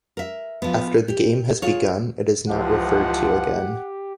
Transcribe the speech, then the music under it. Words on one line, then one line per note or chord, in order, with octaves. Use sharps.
After the game has begun, it is not referred to again.
A#4 E5
F3 B3
G4
F4 G#4 C#5
C#2 E3 F3 G4 F#5